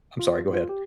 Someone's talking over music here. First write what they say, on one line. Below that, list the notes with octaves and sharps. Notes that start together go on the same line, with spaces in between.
I'm sorry, go ahead.
F4
F4
G4